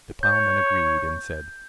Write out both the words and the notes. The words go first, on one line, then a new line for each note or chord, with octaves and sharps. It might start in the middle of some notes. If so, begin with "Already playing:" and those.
The ploughman agreed and said.
C#5 G6